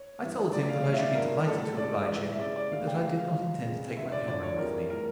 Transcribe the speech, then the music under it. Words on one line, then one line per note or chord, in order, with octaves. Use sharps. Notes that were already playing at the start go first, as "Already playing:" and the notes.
I told him that I should be delighted to oblige him, but that I did not intend to take my camera with me.
Already playing: C#5
G2 E3 G3
A2 F3 D5
F5
A2 E3 G3 F5
E5
D5
G2 F3 A#4
A2 G3 A4
A4
C#2 C#3 G3 D5
C#2 C#3 E3
E5
C#2 C#3 G3 D5
D5
A2 G3 F5
G5
C#2 C#3 E3 G3 F5
F5
C#2 C#3 F3
F2 C#3 F3
E2 D3 G3 E5
D5
D2 D3 F3 D5
C#5
F2 E3 G3 A#4
A2 E3 G3 A#4